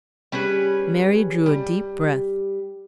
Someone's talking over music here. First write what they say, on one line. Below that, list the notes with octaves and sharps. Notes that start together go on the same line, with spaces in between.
Mary drew a deep breath.
G3 C#4 G#4 B4
G3